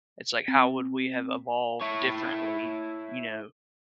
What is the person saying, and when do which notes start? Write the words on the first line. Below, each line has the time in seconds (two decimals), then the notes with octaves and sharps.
It's like, how would we have evolved differently, you know,
0.48 C4
1.81 E4 C#5